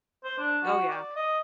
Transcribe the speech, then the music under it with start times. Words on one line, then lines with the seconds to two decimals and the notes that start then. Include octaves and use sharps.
Oh, yeah.
0.24 C5
0.38 D4
0.63 F#4
0.90 D5
1.16 D#5